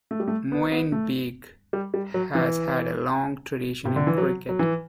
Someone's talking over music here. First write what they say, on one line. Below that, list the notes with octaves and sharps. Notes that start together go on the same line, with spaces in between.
Muine Bheag has had a long tradition in cricket.
A3
G3
A3
B3
B3
A3
G3
G3
F#3
E3
C3
D3
E3
F#3
F#3
E3